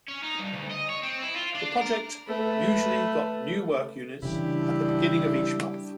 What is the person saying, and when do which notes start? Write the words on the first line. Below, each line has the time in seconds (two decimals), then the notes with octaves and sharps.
The project usually got new work units at the beginning of each month.
0.08 C#4
0.23 D#4
0.39 G2
0.53 D2
0.71 D#5
0.89 C#5
1.03 C4
1.22 E4
1.35 F4
1.55 D4
1.81 A#4
2.27 A3 B4
4.23 C#3 E3 G3 D4 E4 G4